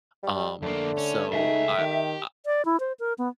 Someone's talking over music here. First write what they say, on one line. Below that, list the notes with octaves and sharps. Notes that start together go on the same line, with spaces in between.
Um, so I I
G3
F2 D3 A3 A#3
C#4
C#2 D#4 G#4 E5
D#3 G4
D5
E4
C5
A#4
B3